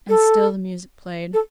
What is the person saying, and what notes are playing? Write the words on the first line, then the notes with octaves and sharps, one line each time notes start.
And still the music played.
A4
A4